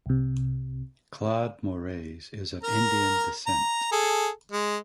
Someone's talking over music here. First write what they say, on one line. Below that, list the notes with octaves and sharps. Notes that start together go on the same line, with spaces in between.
Claude Moraes is of Indian descent.
C2 C3
A#4 A#5
A#5
G#4 A4
G#3